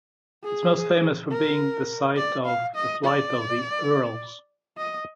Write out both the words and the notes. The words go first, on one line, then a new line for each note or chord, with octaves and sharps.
It is most famous for being the site of the Flight of the Earls.
G#4
A#4
D5
F5
D#5
D5
D#5